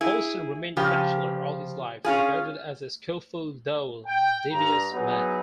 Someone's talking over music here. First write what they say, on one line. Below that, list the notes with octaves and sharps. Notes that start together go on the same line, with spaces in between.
Holstein remained a bachelor all his life, regarded as a skillful though devious man.
E4 G#4
C#3 F3 G4
C#4 F4 G#4
G5
G2 A#5
F#3 B3 D#4 E4 G#4